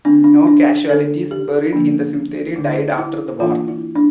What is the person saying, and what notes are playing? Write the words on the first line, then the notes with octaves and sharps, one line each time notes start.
No casualties buried in the cemetery died after the war.
D3 A3 C4 D4
D4
D4
D3 A3 D4 A4
G4
D3 F3 A#3 D4
D3 A3 D4 E4
E4
E3 A#3 D4 F4
E4
D4